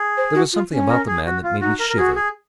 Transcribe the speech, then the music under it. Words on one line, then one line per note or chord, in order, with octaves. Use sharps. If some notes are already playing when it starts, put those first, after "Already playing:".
There was something about the man that made me shiver.
Already playing: G#4
C5
F#4
F4
C#4
A#4
G#4
F#4
F4
D#4 F#4
A#4
A#4
F#4 G#4
G#4